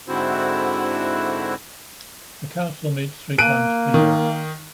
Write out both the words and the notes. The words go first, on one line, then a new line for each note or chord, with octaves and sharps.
The Council meets three times per year.
G#2 D3 C4 E4 F#4
A#3 F#6 D7 D#7
D#3